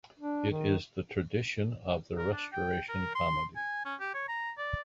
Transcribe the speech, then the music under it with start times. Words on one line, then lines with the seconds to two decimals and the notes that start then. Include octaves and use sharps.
It is the tradition of the Restoration Comedy.
0.20 D4
0.51 D#3
2.18 A#4
2.33 D4
2.53 G5
2.89 A#4
3.15 C6
3.56 G#5
3.85 C#4
4.00 G4
4.15 C#5
4.29 A#5
4.58 D5